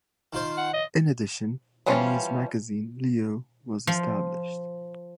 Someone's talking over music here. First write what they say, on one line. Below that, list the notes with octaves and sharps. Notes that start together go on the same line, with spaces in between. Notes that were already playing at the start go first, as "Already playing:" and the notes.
In addition, a news magazine, "Leo", was established.
D#3 F4 C5
F#5
D#5
E3 F3 G3 C#4 F4
F3